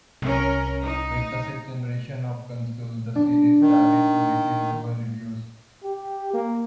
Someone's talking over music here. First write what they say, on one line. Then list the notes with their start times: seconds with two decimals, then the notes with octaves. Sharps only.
With the sixth generation of consoles the series started to receive lower reviews.
0.22 C2 C#4 A#4
0.83 D#4
3.15 D4
3.61 D#3
5.84 G4
6.34 A#3